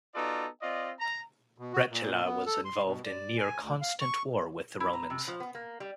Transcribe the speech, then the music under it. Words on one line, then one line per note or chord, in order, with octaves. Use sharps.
Rechila was involved in near constant war with the Romans.
B3 D#4 F4 F#4 A4 D5
C4 F4 D5 D#5
A#5
B2
F#4
A#2
B3
A4
C6
B2
D5
G#5
D2
F5
C#6
E4
A#5
C3
F3
B3
A#3
G3